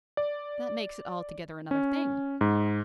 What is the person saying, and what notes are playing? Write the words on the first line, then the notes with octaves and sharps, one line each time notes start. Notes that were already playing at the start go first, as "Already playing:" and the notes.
That makes it altogether another thing.
D5
C#4
G#2